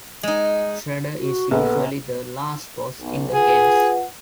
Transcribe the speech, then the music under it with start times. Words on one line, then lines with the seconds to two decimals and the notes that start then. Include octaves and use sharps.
Shredder is usually the last boss in the games.
0.23 G#3 D#4
1.17 F#4
1.51 A#1 B3 A4
3.01 B1
3.34 F4 G#4 B4 F#5